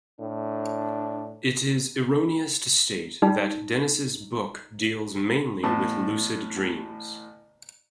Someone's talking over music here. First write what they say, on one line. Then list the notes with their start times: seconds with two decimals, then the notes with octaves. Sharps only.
It is erroneous to state that Denys's book deals mainly with lucid dreams.
0.21 A2 D4
3.22 G3 D#4
5.63 A1 A2 B3 A5